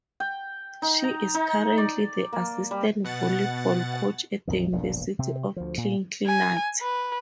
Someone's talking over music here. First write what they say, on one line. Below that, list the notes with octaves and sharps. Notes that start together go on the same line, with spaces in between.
She is currently the assistant volleyball coach at the University of Cincinnati.
G5
D#4
A#5
D#4
D5
A#3
G3
B2 F#5 A6
A#1 F2 D#3
E1 A#1 G2 A#2
C3 C4
D2 F3
A#2
G#5
B4